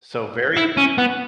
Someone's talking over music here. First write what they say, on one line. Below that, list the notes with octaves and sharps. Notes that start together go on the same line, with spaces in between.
so very
E4
C#4
B3